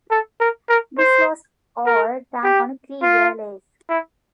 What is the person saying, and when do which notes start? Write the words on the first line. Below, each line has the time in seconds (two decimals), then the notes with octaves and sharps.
This was all done on a three-year lease.
0.11 A4
0.40 A#4
0.69 A#4
0.98 C5
1.86 A#4
2.44 G4
3.02 F4
3.89 E4